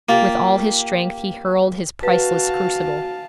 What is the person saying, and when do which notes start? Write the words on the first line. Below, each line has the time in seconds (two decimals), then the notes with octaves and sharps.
With all his strength he hurled his priceless crucible.
0.09 A#3 F4 G4
2.03 F#4 B4 F5 A5